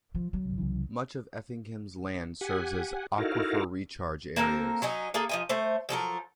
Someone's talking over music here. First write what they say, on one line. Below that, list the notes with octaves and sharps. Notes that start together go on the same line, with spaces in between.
Much of Effingham's land serves as aquifer recharge areas.
F3
F#3
G1 C2
C2 C#3 E3
G4 F#5 G#5
D#4 E4 F#4 A4 A#4 F5
A#3 C4 A4 A#4
F#3 C#4 D#4
A#3 G#4 A4
F3 D#4 G#5
A3 C5 C#5
F3 F#3 A4 A#4